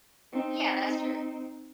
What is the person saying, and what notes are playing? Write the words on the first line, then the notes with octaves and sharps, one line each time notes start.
Yeah, that's true.
C4 D#4